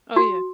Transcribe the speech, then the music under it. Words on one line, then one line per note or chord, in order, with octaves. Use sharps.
Oh, yeah.
F#4